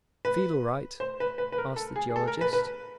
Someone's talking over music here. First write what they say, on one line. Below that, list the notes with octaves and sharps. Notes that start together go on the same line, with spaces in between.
"Feel all right?" asked the geologist.
B4
C5
B4
B4
B4
A#4
A4
G#4
G#4
A4
A#4
B4
B4